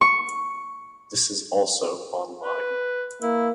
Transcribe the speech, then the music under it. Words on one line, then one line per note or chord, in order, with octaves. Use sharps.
This is also online.
C#6
B4
A#3 E4